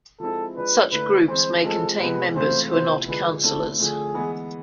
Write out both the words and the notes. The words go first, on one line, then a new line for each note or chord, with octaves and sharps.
Such groups may contain members who are not councillors.
F3 G#3 C4 E4 A4
F3 G#3 D4 B4
D3 A3 E4 B4
E3 G#3 C4 C5
F3 G#3 C4 A4
C3 G#3 B3 B4
E3 A3 C4 F4 C5
C3 F3 B3 E4 C5
D3 F3 G#3 B4
D3 A3 C4 E4 A4
D3 F3 A3 G#4
E3 G#3 B3